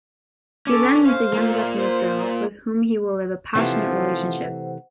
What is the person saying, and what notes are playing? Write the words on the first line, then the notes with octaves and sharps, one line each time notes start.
He then meets a young Japanese girl with whom he will live a passionate relationship.
C#4 A4 D6
C5 F5
A#3 F4
C5
C3 E3 F3 A3 C5 F#5